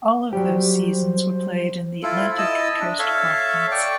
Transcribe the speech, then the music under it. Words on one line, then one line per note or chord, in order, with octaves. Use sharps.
All of those seasons were played in the Atlantic Coast Conference.
F#3 G3 G4 C5
E4 F4 A4
E4 D#5 A5 E6
D4
A4 C#5 E5 F5
D5 G5 C#6